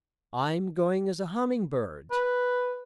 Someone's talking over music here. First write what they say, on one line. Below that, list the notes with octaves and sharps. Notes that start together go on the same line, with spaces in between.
I am going as a humming bird.
B4